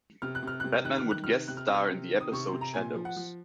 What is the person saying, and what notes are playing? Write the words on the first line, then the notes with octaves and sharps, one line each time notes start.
Batman would guest-star in the episode "Shadows".
C3 F6
F#6
C3 F6
C3 F#6
F6
D#3 F#6
F6
D#3
F#6
C3 F6
C3 F#6
F6
C3 D#6
F6
C3
D#3
D#6
C3 C#6
C6
C3
A#5
A#2 G#5
F3
F#5
F3